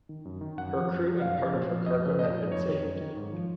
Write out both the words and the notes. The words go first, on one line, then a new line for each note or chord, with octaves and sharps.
Her crew and part of her cargo had been saved.
D#3
F#2
D#3
F#2 F#5
F3
F#2
F3
F#2 F5
C#3 F3
A#2
F3
F2 D#5
C#3 F3
A#2 D#5
F3
F2 C#5
D#3
F#2
D#3
G#2
F3